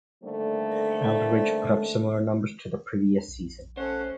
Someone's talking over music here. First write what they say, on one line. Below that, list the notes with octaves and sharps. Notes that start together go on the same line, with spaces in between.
Aldridge put up similar numbers to the previous season.
D3 D#3 G3 A3 A#3 C4
A#1
A3 C#4 C5 F#5